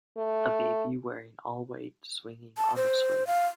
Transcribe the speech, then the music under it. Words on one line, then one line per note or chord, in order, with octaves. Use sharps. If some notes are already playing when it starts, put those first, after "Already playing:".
A baby wearing all white swinging on a swing.
A3
A5
C5
F5